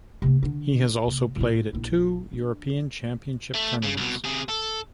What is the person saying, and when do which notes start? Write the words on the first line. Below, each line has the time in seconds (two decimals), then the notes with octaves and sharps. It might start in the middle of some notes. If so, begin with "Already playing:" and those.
He has also played at two European Championship tournaments.
0.22 C3 A#3
0.43 D3 D4
1.06 C3 A#3
1.36 A2 F4
1.73 A#1 E4
2.33 D4
3.55 A3
3.83 C#3
3.97 C2 B2
4.24 C3 G#4
4.49 A4